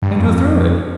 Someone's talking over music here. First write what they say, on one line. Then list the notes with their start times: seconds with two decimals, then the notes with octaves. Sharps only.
"And who threw it?"
0.02 G2
0.20 F2